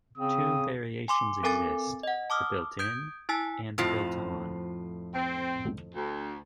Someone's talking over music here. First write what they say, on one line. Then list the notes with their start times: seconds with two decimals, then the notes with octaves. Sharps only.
Two variations exist, the built-in and the built-on.
0.18 C#3 C4 D#6
1.08 G#5 C6 D6
1.43 C4 A4 A#4 G#5 D6 A6
2.03 D#5 F#5
2.30 A5 D6 D#6 F6
2.79 D#6 G6 G#6 D7
3.29 E4 G#5 A5 E6 B6
3.78 F2 A2 F3
5.14 C4
5.95 D2